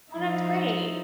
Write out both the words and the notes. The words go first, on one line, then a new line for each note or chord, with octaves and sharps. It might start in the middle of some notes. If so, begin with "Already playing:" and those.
Well, that's great.
F3 D#4 E4